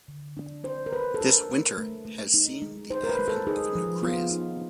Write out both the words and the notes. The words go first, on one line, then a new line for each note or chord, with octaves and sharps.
This winter has seen the advent of a new craze.
D3
D4
D4 C5
A#4
D4 B4
A4
D4 A#4
A3
A3
A3
D#4
G#3
D#4 C5
A#4
B4
G#3
A4
D#4 G#4
F3
B3 F4
D#4